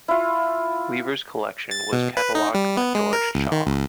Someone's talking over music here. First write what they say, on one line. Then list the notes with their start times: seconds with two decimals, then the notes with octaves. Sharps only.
Lever's collection was catalogued by George Shaw.
0.08 E4 F4
1.71 A6
1.93 B2
2.17 B4
2.35 D#4
2.54 G3
2.77 B3
2.95 G#3
3.13 A#4
3.35 C#2
3.52 D#3
3.66 C#2